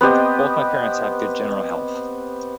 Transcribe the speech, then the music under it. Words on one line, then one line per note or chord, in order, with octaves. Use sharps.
Both my parents have good general health.
B3 C4 G4 D#5